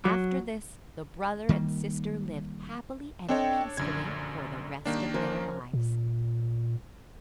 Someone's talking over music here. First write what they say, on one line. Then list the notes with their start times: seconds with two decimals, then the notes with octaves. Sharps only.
After this, the brother and sister lived happily and peacefully for the rest of their lives.
0.05 F#3
1.49 D#3 G3 A#3
3.28 C4 D4 A4 C#5 D#5 G5
3.77 A#1 F#2 D3 G#6
4.85 D#3 G3 A#3 D4
5.14 F3 C#4 A#4
5.73 A#2